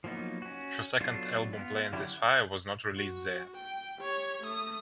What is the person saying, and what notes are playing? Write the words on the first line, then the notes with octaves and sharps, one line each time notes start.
Her second album "Playin' With Fire", was not released there.
F3 F#3 A#3 B3 D#4
C#4 F#4
F#3 B3 D4 F4 A4
B3 F4
D3 F#3 C#4 E4 G4
F#5
F#4
G5
G4 C#5
A3 D#6